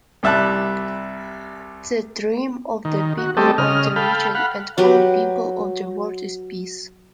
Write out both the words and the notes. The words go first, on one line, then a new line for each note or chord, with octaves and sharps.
The dream of the people of the region and all people of the world is peace.
C2 G3 E5 A5 F#6
D#3
F#4
G3 A3 C4 G4 A4 D#5
C#3 D#5 F6
A4 F5 G5 B5
F5 F#5 B5
F#3 G4 B4